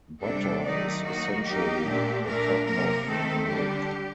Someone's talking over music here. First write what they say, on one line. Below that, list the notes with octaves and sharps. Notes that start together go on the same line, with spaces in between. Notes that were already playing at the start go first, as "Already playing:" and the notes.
Butter is essentially the fat of milk.
C3 G3 D4 A4
D#3 F#3 A3 D#4 D5
F#3 A#3 D#4 F#4
F#3 A#3 D#4 G4
A#2 A3 D4
A#2 A3 D4 A#4
C3 F#3 A#3 A#4
D#3 A3 C4 A4
D3 G3 D4 G4